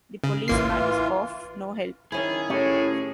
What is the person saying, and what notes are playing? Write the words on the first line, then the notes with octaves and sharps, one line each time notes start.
The policeman is of no help.
C#3
A1 E3 A#3 F4 C7
D#3 C#4 E4 G#4
A2 C#4 G4